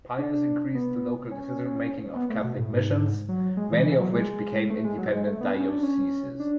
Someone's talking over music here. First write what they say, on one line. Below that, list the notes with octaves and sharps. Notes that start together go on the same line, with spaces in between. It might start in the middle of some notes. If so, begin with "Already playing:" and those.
Pius increased the local decision-making of Catholic missions, many of which became independent dioceses.
D4
B3
C#4
B3
A3
B2
A2
G#2
F#3
G#3
E3
E3
F#3
G#3
A3
G#3
F#3
G#3
A3
B3
C#4
D4
C#4
D4